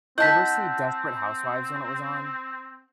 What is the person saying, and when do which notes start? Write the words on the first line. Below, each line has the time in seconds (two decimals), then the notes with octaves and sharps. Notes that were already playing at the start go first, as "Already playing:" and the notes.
Do you ever see Desperate Housewives when it was on?
0.18 C4 E4 D#5 F#5 A5 G6 B6